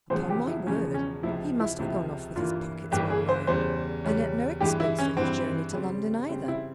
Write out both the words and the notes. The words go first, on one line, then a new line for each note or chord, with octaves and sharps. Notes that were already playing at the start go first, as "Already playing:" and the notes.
"Upon my word, he must have gone off with his pockets well lined, and at no expense for his journey to London either!"
E1 E2 C#3 F3 G#3 C5
G4
E4
E1 E2 C#3 F3 G#3 C#4
C#4
C#2 C3 F3 E4
E4
C#2 C3 F3 E4
G1 G2 E3 A#3 F4
G1 G2 E3 A#3 G4
G#4
C5
E2 C#3 G3 C#4 C5
E2 C#3 G3 C#4
G2 E3 G#3 G4
E4
C#4
G2 E3 G#3 C4
C#3 G3 C4
C#3 G3 C4
E4